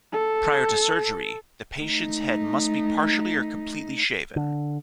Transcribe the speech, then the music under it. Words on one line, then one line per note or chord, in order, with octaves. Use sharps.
Prior to surgery, the patient's head must be partially or completely shaven.
A4
A3 D#4
D3